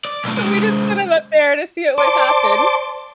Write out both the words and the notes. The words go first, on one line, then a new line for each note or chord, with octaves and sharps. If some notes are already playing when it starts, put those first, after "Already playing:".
and we just put him up there to see what would happen,
D5
B1 A2
C3 G#3
C5 D5 A5 C6 D6